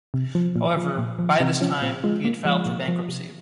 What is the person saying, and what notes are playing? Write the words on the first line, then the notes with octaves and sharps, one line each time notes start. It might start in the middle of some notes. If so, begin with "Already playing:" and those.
However, by this time, he had filed for bankruptcy.
C3
F3
A#2
F3
A#2
F3
C3 D#4
F3 C#4
A#2 C4
F3 G#3
A#2 A#3
F3 G#3
A#2 A#3
F3
C3